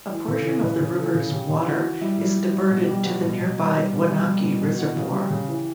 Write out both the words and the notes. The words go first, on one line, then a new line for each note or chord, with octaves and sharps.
A portion of the river's water is diverted to the nearby Wanaque Reservoir.
E3
C#3 A4
E3
C#3 B4
C#3
E3 A4
C#3
C#3 G4
C#3
E3 F#4
E3
G3 E4
G3
G3
G3
B2 F#4
G3 G4
G3 F#4
B2
B2
G3
G3
B2
G3
G3
B2
B2
E3 F#4
C#3
G3 G4
C#3
E3